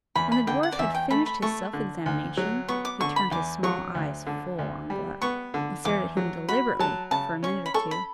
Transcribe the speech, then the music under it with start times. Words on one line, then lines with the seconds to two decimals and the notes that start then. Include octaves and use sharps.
When the dwarf had finished his self-examination, he turned his small eyes full on Gluck, and stared at him deliberately for a minute or two.
0.15 E2 B5
0.32 B5
0.47 D3 G5
0.63 F#5
0.72 D5
0.79 E2 E5
0.95 G5
1.10 A3 B5
1.26 B5
1.42 A3 C#6
1.73 D3
2.06 D2
2.37 F#3
2.68 B3 C#6
2.85 D6
3.00 D3 C#6
3.16 B5
3.31 E2 D6
3.63 F#3 C#6
3.95 D2
4.27 D3
4.59 D2
4.90 G3
5.22 B3 C#6
5.54 D3
5.85 E2 D6
6.17 F#3
6.49 F#4 B5
6.79 F#3 A5
7.11 C#3 A5
7.43 C#4 C#6
7.66 B5
7.74 A4 C#6
7.91 B5